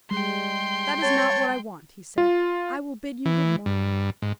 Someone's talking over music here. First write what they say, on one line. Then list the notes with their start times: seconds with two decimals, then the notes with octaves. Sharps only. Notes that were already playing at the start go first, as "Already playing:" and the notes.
'That is not what I want,' he said, 'I will bid you good morning.'
0.11 G3 G#3 G5 C6
1.02 C#5 A5
2.18 F4
3.26 E3
3.66 G2
4.22 G#2